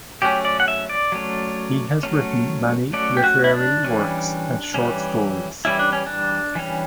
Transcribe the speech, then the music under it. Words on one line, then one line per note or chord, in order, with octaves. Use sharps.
He has written many literary works and short stories.
F#3 A3 C#4 G4
D5
F#5
E5
D5
F#3 A3 C#4
F#3 A3 C#4
F#3 A3 C#4 D5
G4
F#4
E4
D4
E3 G3 C#4
E3 G3 C#4
E3 G3 C#4 E4
D4
C#4
D4
E3 G3 C#4